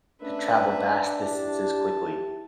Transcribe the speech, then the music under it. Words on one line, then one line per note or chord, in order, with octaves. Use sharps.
to travel vast distances quickly.
A3 C#4 D4 B4 E5
E4 G4 A5